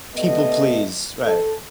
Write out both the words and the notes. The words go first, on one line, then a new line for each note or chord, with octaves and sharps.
People please, right.
G3 A3 B3 D#5
A4